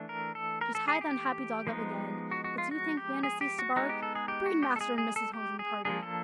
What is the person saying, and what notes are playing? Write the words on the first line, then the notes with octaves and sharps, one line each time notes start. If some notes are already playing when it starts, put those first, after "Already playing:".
She tied the unhappy dog up again, but do you think Nana ceased to bark? Bring master and missus home from the party!
Already playing: E3 A3 D4
A#4
A4
A#4
A4
G#4
G4
F3 G#3 B3 D#4
F#4
F#4
F4
F#4
G4
G#4
G4
F#4
G#3 B3 D#4 F#4
G4
A4
G#4
G4
F#4
G4
A4
G#4
G#4
A4
G4
G#4
F3 A#3 D4 G#4
A4